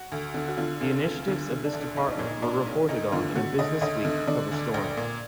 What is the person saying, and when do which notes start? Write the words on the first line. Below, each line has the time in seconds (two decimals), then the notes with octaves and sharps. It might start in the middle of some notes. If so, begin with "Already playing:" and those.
The initiatives of this department were reported on in a "BusinessWeek" cover story.
Already playing: F#4
0.12 D2
0.34 D3
0.48 F#4
0.57 D3 F4
0.81 D2
1.04 D2
1.28 D3
1.50 D3
1.65 D4
1.73 D2
1.81 D4
1.96 B1 D#4
2.12 D4
2.19 A#2
2.27 D#4
2.42 A#2 D4
2.66 B1
2.89 D2 D#4
3.12 D3 F4
3.35 D3 F#4
3.58 D2 D#5
3.81 D2 D#5
4.05 D3
4.27 D3 D5
4.51 D2
4.74 A#1
4.97 A#2